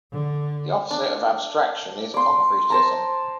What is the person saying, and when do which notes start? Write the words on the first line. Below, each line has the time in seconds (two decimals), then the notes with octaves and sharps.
The opposite of abstraction is concretism.
0.12 D3
0.91 D4
2.14 D5 C6
2.70 C5 A5 A#5